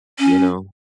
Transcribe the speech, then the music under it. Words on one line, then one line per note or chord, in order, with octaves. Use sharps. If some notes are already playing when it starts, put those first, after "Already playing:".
You know?
C#4